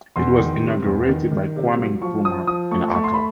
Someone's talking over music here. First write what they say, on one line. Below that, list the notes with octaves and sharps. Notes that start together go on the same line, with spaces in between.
It was inaugurated by Kwame Nkrumah in Accra.
E2 C6
D#3
C3
E2
D#3
D#3
C3
F#3
F3 C#6
F3 D#6
F3 D#6
A3 C#6
A3 C#6
C6
B5